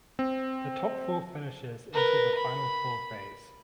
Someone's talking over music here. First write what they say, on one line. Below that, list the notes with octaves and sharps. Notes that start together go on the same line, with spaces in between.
The top four finishers enter the Final Four phase.
C4
A#4 B4
B5